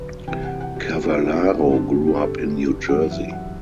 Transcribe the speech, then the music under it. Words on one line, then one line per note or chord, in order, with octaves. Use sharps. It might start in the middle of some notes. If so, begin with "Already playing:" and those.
Cavallaro grew up in New Jersey.
Already playing: F#2 D3 B4
C2 C3 E3 G5
F#5
F#5
G4
F#4
D4
E4
F#4
C4
G2 D3 D4
C4
D4
F#4
G4
A4
F#2 E3 F#5
E5
F#5